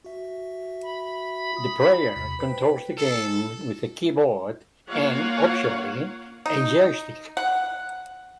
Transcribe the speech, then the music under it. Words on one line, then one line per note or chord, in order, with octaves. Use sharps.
The player controls the game with a keyboard and, optionally, a joystick.
F#4 E5
B5
F4 D#6
E2 C3
B4 C5 G5
A4
A#3 F4 C#5 F5 F#5
D#4
F#5